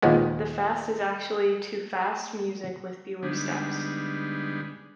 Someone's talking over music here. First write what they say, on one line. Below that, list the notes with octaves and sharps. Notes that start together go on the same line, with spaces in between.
The fast is actually to fast music with fewer steps.
D#2 A#2 F3 G#3 B3
D3 G3 G#3 B3 D4 D#4